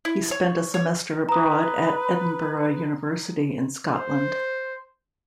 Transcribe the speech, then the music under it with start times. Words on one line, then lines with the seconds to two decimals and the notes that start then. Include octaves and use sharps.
He spent a semester abroad at Edinburgh University in Scotland.
0.05 E4
0.31 C#5
0.74 C#5
1.29 B4 A#5 D#6
3.94 C5